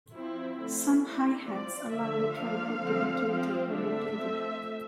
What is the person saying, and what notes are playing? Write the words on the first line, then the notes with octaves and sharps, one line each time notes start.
Some hi-hats allow the tripod to be tilted or rotated.
F3 C4 E4
D3 A3 C4 E4
G3 A#3 D4 E4
F3 C4 D5
D3 F3 A3 E5
F3 A#3 D4 F5
D3 F3 C4
F3 C4
D3 A3 D4 E5
F3 A3 C4